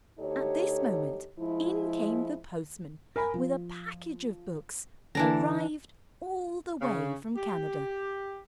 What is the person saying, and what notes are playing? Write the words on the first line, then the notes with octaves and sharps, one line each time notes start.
At this moment in came the postman with a package of books, arrived all the way from Canada.
D2 D#4 G4 A4 C#5
F3 G#3 E4
A#4 G#5 B5
F3
D3 E3 D4 A#5
C#3
G4